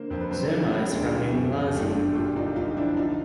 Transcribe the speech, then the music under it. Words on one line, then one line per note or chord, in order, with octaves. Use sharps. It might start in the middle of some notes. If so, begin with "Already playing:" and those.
Zuma is from Umlazi.
Already playing: D3 A#3 C5
F2 A#4 C5
A4 B4
F#3 A#4 C5
A#4 C5
C#3 A#4 C5
G3
D2 G#4 A#4
E3
F#2 G4 A4
F#3
G1 G4 A4
D3
A#2 F4 G4
C2 D#4 F4
C2 D#4 F4
F3 D4 E4
D3 D#4 F4